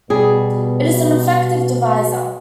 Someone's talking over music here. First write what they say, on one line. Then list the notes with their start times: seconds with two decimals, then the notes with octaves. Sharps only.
It is an effective divisor.
0.10 B2 G3 G#4